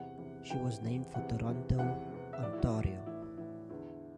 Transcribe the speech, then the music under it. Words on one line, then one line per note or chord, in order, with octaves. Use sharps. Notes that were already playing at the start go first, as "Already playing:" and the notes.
She was named for Toronto, Ontario.
Already playing: E2 C3 E3 F#5
E2 C3 E3
E2 C3 E3 G5
E2 C3 E3
E2 C3 E3 F#5
E2 C3 E3
E2 C3 E3 F#5
E2 C3 E3
E5
A2 E3 D5
E4
F#4
A2 E3
A2 E3 E4
E4
A2 E3 E4
E2 D3 E4